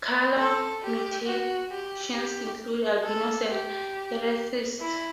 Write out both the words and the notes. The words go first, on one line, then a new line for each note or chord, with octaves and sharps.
Colour mutations include albinos and erythrists.
A4
G4
F#4
G4
G4
A4
G4
E4